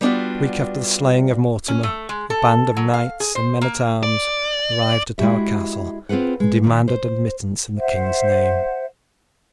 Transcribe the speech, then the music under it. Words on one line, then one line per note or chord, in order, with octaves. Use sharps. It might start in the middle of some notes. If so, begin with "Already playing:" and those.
A week after the slaying of Mortimer a band of knights and men-at-arms arrived at our castle and demanded admittance in the king's name.
G3 B3 D4 F4 F#4
C#4
A3
G#3
A4
F#3
F5
G#4
C5
A#3
D5
G#3 E4 F#4 G4 E5
C4 F4 G#4 B4 F#5
G#3
A#2 D#3
C5
C5 E5 F#5